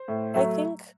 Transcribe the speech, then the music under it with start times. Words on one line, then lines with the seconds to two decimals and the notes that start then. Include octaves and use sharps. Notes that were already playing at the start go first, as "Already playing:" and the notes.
I think,
Already playing: C5
0.08 A2
0.34 F#3 A3